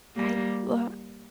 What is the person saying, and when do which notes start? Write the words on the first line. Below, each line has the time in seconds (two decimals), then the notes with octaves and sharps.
I uh,
0.16 G3 A#3